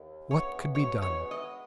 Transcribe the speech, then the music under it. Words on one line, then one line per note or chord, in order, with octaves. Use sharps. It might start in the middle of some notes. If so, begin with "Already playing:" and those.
What could be done?
Already playing: D#2
C#3 E3 B3 C#5
B2 C#5
C#5
G#3 B3
D#5